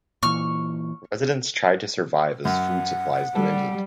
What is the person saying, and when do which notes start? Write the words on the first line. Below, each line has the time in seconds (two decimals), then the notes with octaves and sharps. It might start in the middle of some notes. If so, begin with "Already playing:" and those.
Residents tried to survive as food supplies dwindled.
0.23 A#2 E3 C#6 F6
2.45 F#2 F#5
3.35 G3 A4